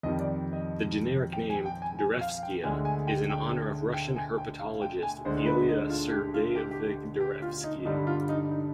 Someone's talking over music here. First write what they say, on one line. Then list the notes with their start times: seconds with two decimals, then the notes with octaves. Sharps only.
The generic name, "Darevskia", is in honor of Russian herpetologist Ilya Sergeyevich Darevsky.
0.03 F2 D#3 G3 D#5
0.19 D5
0.53 D#5
1.33 G5
1.50 G#5
1.66 G5
1.82 G#5
1.99 G#5
2.21 F5
2.43 G5
2.63 D2 D3 G#3 G#5
2.85 G#5
3.07 G5
3.30 G5
3.94 G5
4.16 G#5
4.38 G5
4.59 F5
4.82 G5
5.03 G#5
5.25 D2 D3 G#3 C5
5.46 B4
5.68 D#4
5.90 F4
6.11 G4
6.34 F4
6.55 G4
6.71 G4
6.88 G4
7.20 G4
7.42 F4
7.64 D#4
7.85 G2 D3 G3 D#4
8.07 F4
8.29 D#4
8.51 D#4